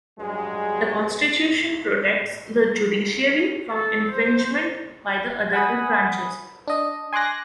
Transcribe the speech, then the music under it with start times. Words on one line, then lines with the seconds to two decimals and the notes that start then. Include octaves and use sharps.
The constitution protects the judiciary from infringement by the other two branches.
0.19 G2 F#3 G#3
3.71 A4
4.11 C5
5.53 F#5 G#5 B5 D#6
6.68 D4 D#5
7.13 G#5 C6 D6 F#6 A#6